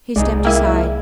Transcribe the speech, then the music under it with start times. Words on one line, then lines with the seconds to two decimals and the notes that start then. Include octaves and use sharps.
He stepped aside.
0.16 C2 G#3 D#4 F4 G#4 D5
0.45 A#3 E4 G5 G#6 D#7